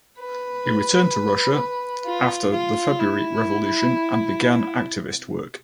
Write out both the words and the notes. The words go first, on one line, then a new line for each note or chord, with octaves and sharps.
He returned to Russia after the February Revolution and began activist work.
B4
F4
F4
E4